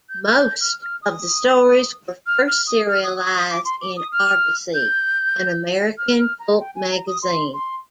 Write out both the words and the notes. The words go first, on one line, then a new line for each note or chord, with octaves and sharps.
Most of the stories were first serialized in "Argosy", an American pulp magazine.
G6
F6
G6
F6
F6
D#6
F6
F6
D#6
F6
D#6
D#6
D#6
D6
C6
D6
D#6
F6
G6
F6
F6
A#5
G5
G#5
A#5
D#6
C6
C6